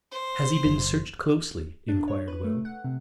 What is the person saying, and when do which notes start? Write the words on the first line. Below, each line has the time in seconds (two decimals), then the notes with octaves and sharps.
"Has he been searched closely?" enquired Will.
0.11 C5
0.65 F#1
1.88 D4
2.08 C#5
2.28 B4
2.44 A3
2.65 F#5
2.84 C3